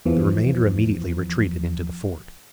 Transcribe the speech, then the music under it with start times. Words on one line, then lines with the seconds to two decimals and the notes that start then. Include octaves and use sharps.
The remainder immediately retreated into the fort.
0.06 E2 E3 F3